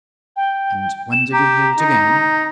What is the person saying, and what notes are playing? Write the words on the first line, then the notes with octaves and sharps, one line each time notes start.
"And when did you hear it again?"
G5
E7
G4 A#5
D#4